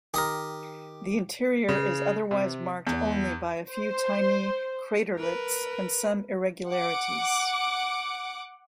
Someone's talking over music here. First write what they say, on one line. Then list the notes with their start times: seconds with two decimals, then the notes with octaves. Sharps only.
The interior is otherwise marked only by a few tiny craterlets and some irregularities.
0.14 D#3 G4 A#4 D#6
1.69 C#3
2.31 C3
2.87 E2
3.69 C5
5.16 A#4 B4
6.68 F#5 D6